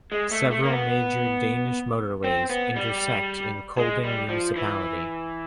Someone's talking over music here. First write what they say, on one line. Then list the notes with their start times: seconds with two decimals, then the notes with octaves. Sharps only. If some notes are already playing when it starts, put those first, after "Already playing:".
Several major Danish motorways intersect in Kolding municipality.
0.12 G#3
0.31 A3
0.51 A3
0.63 A#3
0.70 B3
2.24 C4
2.50 B3
2.76 G3
3.78 G#3
4.04 G3
4.29 F3
4.56 E3